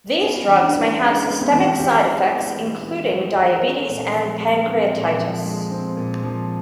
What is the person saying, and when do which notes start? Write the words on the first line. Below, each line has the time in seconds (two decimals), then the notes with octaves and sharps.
These drugs may have systemic side effects including diabetes and pancreatitis.
0.21 B3 C#4
0.48 E3
0.61 D4
0.74 E3
1.00 G#3 C#4
1.26 B3
1.40 C4
1.52 E3 C4
1.59 C#4
1.78 E3 G4
2.05 G#3
2.32 B3
2.57 E3
2.83 E3
3.10 G#3
3.35 G#3 G#4
3.56 A#4
3.62 C4
3.75 A4
3.88 A#2
3.95 G#4
4.15 F3
4.40 G#3
4.46 G#4
4.54 A4
4.66 C4
4.93 A#2
5.19 F3
5.45 G#3
5.71 C4
5.97 A#2
6.23 F3